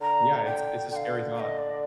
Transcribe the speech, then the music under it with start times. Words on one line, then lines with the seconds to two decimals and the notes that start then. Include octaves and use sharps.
Yeah, it's it's a scary thought.
0.01 D3 A#5
0.46 G5
0.91 D3 G5
0.95 F5
1.36 F5
1.40 D#5
1.58 D5